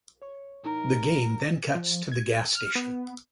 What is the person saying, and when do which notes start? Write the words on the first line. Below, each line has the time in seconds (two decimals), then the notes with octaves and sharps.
The game then cuts to the gas station.
0.22 C#5 C#6
0.63 A2 E3 D#4 A#4
1.75 F3
2.12 G#6
2.55 F6
2.75 B3